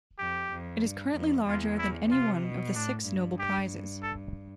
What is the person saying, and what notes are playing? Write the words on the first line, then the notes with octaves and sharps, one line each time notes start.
It is currently larger than any one of the six Nobel Prizes.
F2 G4
F2
G2
F2
E2 F4
E4
C3 F4
B2
A2 D4
G2
G4
A4